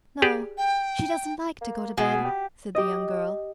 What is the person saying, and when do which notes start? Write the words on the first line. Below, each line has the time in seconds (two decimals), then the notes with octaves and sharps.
"No; she doesn't like to go to bed," said the young girl.
0.22 G4 G#4 D5
0.57 G5
1.61 A#3
1.97 B2 G#4
2.24 G4
2.75 G4 D#5